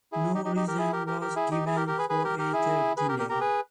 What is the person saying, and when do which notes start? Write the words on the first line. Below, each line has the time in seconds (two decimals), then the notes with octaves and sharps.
No reason was given for either delay.
0.12 E4 G#4
0.35 D#4 G4
0.45 D#4 G4
0.56 D#4 G4
0.68 G4 A#4
0.78 E4 G#4
0.93 G4 A#4
1.07 G4 A#4
1.21 G4 A#4
1.36 E4 G#4
1.51 D#4 G4
1.66 E4 G#4
1.76 G4 A#4
1.87 G4 A#4
1.98 G#4 B4
2.09 G#4 B4
2.24 G4 A#4
2.39 G4 A#4
2.53 E4 G#4
2.97 G#4 B4
3.09 G4 A#4
3.19 G4 A#4
3.29 G4 A#4
3.40 G#4 B4